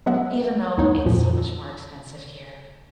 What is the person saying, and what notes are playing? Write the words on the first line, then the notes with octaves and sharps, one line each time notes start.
even though it's so much more expensive here.
F#3 G#3 B3 E5 F#5
D2 G2 B3 D#4 C#5
F2 A#2 F3